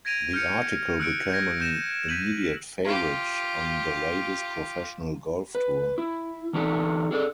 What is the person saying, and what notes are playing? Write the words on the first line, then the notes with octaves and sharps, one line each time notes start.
The article became an immediate favorite on the Ladies Professional Golf Tour.
G#6 A#6 D7 D#7 F7
F6 G6 C#7 D#7
E6 F#6 C#7 D7
G6 G#6 A#6
G6 A#6 D#7 E7
G6 B6 D#7 E7 F#7
F4 G4
B4
E4
E3 D4 D#4 G4 A4
G#4 A4 D5